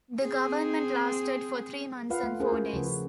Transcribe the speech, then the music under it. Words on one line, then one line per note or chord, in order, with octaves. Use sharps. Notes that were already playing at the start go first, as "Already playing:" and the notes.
The government lasted for three months and four days.
C4 G#4
F4 B4 F5 F#5
A3
C#4 G#4 A#4 C5
E4 F#4
C#3 F3 F#4 B4